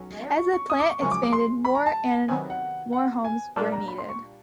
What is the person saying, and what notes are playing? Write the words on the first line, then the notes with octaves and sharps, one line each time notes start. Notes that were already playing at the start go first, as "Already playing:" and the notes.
As the plant expanded, more and more homes were needed.
Already playing: B1 F#3 C#4
C#6
C#6
D#6
D6
C#6
F#2 C#3 F3 G#3 C#4 C#6
D6
D6
C6
B5
A#5
A5
C3 D#3 F#3 B3 G#5
F#5
F#5
G#5
A#2 G3 A#3 D4 A5
A#5
B5
C6
C#6